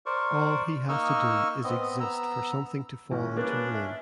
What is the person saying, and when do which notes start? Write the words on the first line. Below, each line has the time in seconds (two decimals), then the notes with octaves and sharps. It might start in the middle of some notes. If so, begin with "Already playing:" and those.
All he has to do is exist for something to fall into ruin.
0.06 A#4 C5 D5 C#6
0.89 A#3 D#4 D#5 C#6 E6 F6
1.64 B3 C4 D#5
2.00 B3 A#5 E6
3.11 A1 G#3 C#4
3.37 A#3 D4 B4
3.73 E5